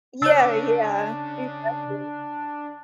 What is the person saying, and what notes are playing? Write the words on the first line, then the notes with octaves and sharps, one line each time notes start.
Yeah, yeah. Exactly.
C#3 D4 C#5 E6